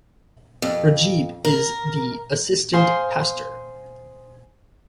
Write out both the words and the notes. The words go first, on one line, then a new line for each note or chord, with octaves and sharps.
Rajib is the assistant pastor.
F2
A#4
G#4 C5 F5 C6